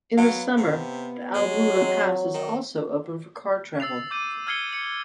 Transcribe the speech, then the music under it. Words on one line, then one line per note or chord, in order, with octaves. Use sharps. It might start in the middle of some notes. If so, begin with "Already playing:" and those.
In the summer, the Albula Pass is also open for car travel.
F#3 B3 F5
C3
F#3 G#3
C4
D#3
E6 A6 C7 F7
D6 G6 D#7
E6 F6 G#6 C7 C#7 G7
C#7 F#7